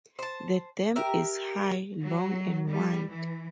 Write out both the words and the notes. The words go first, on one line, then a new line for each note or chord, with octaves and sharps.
The dam, is high, long and wide.
C5 A5
G4 A#4 E5
F#3
G3
E3